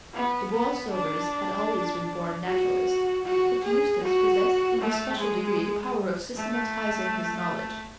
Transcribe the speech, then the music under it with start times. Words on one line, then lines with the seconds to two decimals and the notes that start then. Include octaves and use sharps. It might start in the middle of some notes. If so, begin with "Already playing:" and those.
The Borlsovers had always been born naturalists, but Eustace possessed in a special degree the power of systematizing his knowledge.
0.14 B3
0.52 B3
0.91 D4
2.47 F#4
3.25 F#4
3.63 G#4
4.03 F#4
4.81 A3
5.19 G#3
6.36 A3